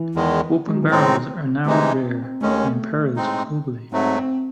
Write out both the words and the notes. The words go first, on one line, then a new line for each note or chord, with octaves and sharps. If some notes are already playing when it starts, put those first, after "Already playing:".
Open barrens are now rare and imperiled globally.
Already playing: E3
E2 D#3 G#3
G#3
F#3
E3
A2 D#3 G#3 C4 D#4
C3 E3 G#3 A3 D#4
C4
C4
D#2 D#3 G#3 A3 C#4
A2 G#3 C4 D#4
G#2 F#3 A3 C4
C4